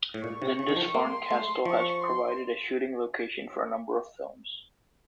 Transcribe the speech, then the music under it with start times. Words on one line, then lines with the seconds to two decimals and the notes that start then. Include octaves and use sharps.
Lindisfarne Castle has provided a shooting location for a number of films.
0.14 A2
0.23 A#2 C#6
0.42 C3
0.59 C#3 C#6
0.69 D#3
0.76 F3
0.94 A#3 C6
1.31 A3
1.65 F3 C#6
2.02 C6